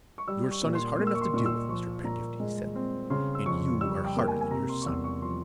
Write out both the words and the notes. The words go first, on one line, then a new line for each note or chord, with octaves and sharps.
"Your son is hard enough to deal with, Mr. Pedgift," he said, "and you are harder than your son."
C#6
G3 E6
C#6
A#2
C6
A#3
E6
C#6
C6
A#2 C#6
E6
F3 C#6
A#2 A#5
G#3
C4
C#3 C6
E6
F2 C#6
G3 E6
G5
A#3
G#5
G#5
C3 A#5
C6
C#6
E2 E6
C#6
F3 C6